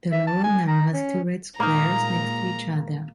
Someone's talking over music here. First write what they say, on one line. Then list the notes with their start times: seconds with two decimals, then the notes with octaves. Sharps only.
The logo now has two red squares next to each other.
0.12 E5
0.27 A5
0.44 G#5
0.68 A#5
0.93 C#4
1.60 A#2 G#3 A#3 D#4 A#4 A#5